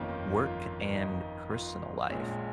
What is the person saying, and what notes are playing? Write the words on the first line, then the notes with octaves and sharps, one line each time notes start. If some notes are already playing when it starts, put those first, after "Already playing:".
work and personal life.
Already playing: G1 F2 D#3 A#3 C#4 F4
F4
D#4
F4
A#1 A#2 G#3 C#4